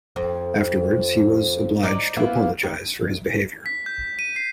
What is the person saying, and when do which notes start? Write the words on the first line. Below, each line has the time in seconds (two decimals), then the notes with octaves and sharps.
Afterwards, he was obliged to apologize for his behaviour.
0.16 F2
1.83 D#4 D5
2.17 A#3 B3 E4
2.63 D#2
3.66 B6
3.86 G6
4.19 D#7
4.36 C7